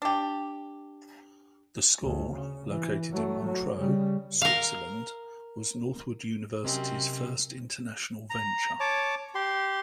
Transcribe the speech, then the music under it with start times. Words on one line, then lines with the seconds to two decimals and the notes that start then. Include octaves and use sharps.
The school, located in Montreux, Switzerland was Northwood University's first international venture.
0.02 D4 G4
2.03 D2
2.36 C#3
2.68 E3
3.12 F#3 A3
3.44 F#3
3.78 C#3 G3
4.42 A#4 F5
6.64 C3 F#3 C4 C#4 A#4 D#5
8.30 A#5
8.80 C#5 A5 D6
9.35 G4 C6